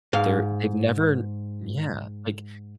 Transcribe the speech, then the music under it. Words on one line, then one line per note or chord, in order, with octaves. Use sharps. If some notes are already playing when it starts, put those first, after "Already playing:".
they're they've never Yeah, like,
G#2 F5